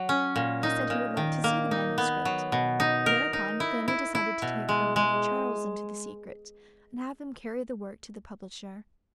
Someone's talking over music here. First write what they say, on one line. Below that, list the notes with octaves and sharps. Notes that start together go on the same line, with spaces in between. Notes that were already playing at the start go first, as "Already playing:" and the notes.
He said he would like to see the manuscript. Thereupon Fanny decided to take her brother Charles into the secret and have him carry the work to the publisher.
Already playing: F#3
C#4
A#2
D#4
A#2
D#3
A#3
D#4
B3
F#3
B2
D#4
A#4
D#4
E4
E4
E4
B2
G#3
G#3